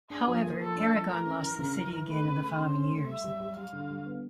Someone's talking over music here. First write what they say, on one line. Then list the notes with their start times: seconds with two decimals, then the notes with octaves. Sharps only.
However, Aragon lost the city again in the following years.
0.10 D4 G#4
0.28 F3
0.43 A#3
0.60 F3 A4
0.76 D4
0.93 F3
1.09 A3 A#4
1.26 C#4
1.43 E3
1.58 C#3
1.76 E3
1.92 E3
2.08 A3 B4
2.24 C#3
2.41 A3
2.57 C#3 C5
2.74 C#4
2.91 A3
3.07 G3 E5
3.24 G3
3.40 G3
3.56 G3 F5
3.73 D3
3.90 G3
4.06 B3